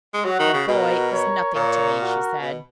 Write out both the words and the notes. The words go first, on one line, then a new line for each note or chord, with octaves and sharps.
"The boy is nothing to me," she said.
G#3
F#3 F#4
D#3
C#3
B2 F#4 A#4
A#4 C#5
A#2 A#4 C#5
F#4 A#4
B2